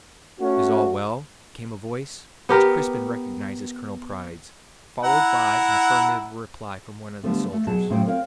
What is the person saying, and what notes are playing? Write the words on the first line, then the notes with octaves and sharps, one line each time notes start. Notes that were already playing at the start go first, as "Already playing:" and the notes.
"Is all well?" came a voice, which Crispin recognized as Colonel Pride's, followed by an affirmative reply from one of the soldiers.
A3 C#4 F#4
B3 G4 A#4
E4 F#5 A#5
D3 F3 G3 A3 B3
A3
B2 F#3 G#4 A5
A2 C#3 F#3 C5 C#5 G5
C4 A#4 C#5 F5